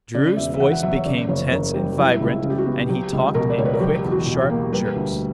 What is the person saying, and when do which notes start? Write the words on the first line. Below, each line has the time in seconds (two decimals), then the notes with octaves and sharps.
Dru's voice became tense and vibrant, and he talked in quick sharp jerks.
0.15 C#3 D5
0.37 E1 E5
0.54 E5
0.60 E2 F#5
0.72 F#5
0.83 F#3 E5
0.96 C#5
1.06 C#3 D5
1.28 F#1 C#5
1.51 F#2 A#4
1.74 G3 G4
1.97 F#3 E4
2.20 C#2
2.28 E4
2.43 C#3
2.50 G4
2.58 F#4
2.66 B3
2.89 F#3 G4
3.13 C#2
3.34 B2 A#4
3.50 D5
3.57 C#2 C#5
3.65 B4
3.73 A#4
3.80 F#3 G4
4.04 E2
4.12 F#4
4.26 B2
4.41 G4
4.50 A#3
4.72 G3 B4
4.96 D2